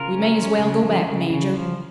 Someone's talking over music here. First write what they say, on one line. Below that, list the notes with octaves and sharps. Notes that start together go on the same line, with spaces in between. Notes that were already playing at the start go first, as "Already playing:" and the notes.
We may as well go back, major.
Already playing: C#3 F4 A#4
C#4
C#4
C#3
F3
C#3
C#3
F3